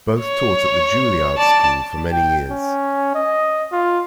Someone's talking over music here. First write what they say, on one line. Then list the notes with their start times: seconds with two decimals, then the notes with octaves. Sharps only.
Both taught at the Juilliard School for many years.
0.21 C#5
1.38 D5 A5
2.12 G5
2.51 C#4
3.15 D#5
3.72 F4